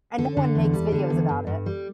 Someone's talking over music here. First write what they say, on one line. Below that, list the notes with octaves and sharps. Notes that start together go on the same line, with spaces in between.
And no one makes videos about it.
D3 A4
D3
E2
G3
D3
E2
G2
G2
G3